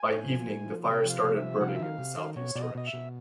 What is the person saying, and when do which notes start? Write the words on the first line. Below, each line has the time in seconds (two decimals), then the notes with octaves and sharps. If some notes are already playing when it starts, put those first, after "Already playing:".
By evening, the fire started burning in a southeast direction.
Already playing: G#5
0.09 A2
0.29 F3
0.47 A2
0.66 F3
0.85 C3 G5
1.05 F3
1.10 F5
1.23 C3
1.36 E5
1.41 F3
1.61 C3 F#5
1.68 F5
1.75 E5
1.80 D#3 F5
1.98 C3
2.17 D#3
2.36 B2 C#5
2.55 B2 D5
2.62 D#5
2.75 B2 D#5
2.87 E5
2.93 B2